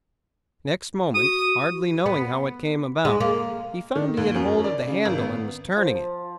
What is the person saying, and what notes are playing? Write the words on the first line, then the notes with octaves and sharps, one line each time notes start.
Next moment, hardly knowing how it came about, he found he had hold of the handle and was turning it.
F#4 D#6
B3
G#3
A#3
D#3
D#2
F#2
D5
C#3
G#1
B3
F3